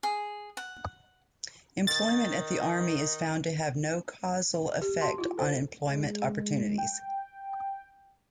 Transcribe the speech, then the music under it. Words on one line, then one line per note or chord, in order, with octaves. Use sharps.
Employment at the army is found to have no causal effect on employment opportunities.
G#4
F#5
D#3 A6
G4
F#4 A5 C6
E4 F4
A4 C5
G#3
G5